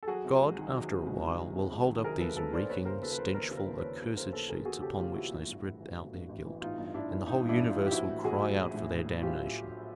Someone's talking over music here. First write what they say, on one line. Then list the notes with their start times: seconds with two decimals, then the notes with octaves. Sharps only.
God, after a while, will hold up these reeking, stenchful, accursed sheets, upon which they spread out their guilt, and the whole universe will cry out for their damnation.
0.03 A4
0.08 F#3 F#4 G#4
0.24 C3
0.41 C#2
0.57 D#3
0.74 F#3
0.90 C3
1.06 C#2
1.23 D#3
1.39 F#3
1.56 C3
1.72 C#2
1.87 D#3
2.04 F#3 G#4 A#4
2.20 C3 A4 B4
2.37 C#2 A4 B4
2.53 D#3 C5 D5
2.70 D#2 B4 C#5
2.85 C#3 A#4 C5
3.02 D#2 A4 B4
3.12 B4
3.18 F3 A#4 C5
3.34 D#2 A#4 C5
3.51 C#3
3.57 A#4
3.64 B4
3.67 D#2 C5
3.78 B4 C#5
3.84 F3
4.01 D#2
4.17 C#3 A#4 C5
4.33 D#2 A4 B4
4.49 F3 G#4 A#4
4.65 D#2 F#4 G#4
4.82 C#3 G4 A4
4.98 D#2 F4 G4
5.14 F3 E4 F#4
5.31 A1
5.47 G2
5.63 A1
5.80 E3
5.96 A1
6.12 G2
6.29 A1
6.46 E3
6.62 A1 D#4 F4
6.78 G2
6.94 A1 D4 E4
7.10 E3
7.27 A1 D#4
7.43 G2
7.49 D4 E4
7.59 A1
7.70 D#4 F4
7.76 E3
7.86 G4
7.92 A#1 E4 F#4
8.08 A2
8.24 A#1 F#4 G#4
8.41 F#3
8.58 A#1
8.74 A2
8.90 A#1
9.06 F#3
9.22 A#1 F4 G4